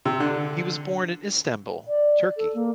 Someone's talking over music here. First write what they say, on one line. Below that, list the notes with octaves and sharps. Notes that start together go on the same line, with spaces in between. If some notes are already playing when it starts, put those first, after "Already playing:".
He was born in Istanbul, Turkey.
C3
D3
D5
A4
A#3